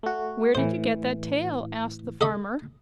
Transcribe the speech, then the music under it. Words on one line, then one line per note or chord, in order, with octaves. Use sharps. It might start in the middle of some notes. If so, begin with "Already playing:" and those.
"Where did you get that tail?" asked the farmer.
A3 F#4
A2 E3 C5
A4 D#5 B5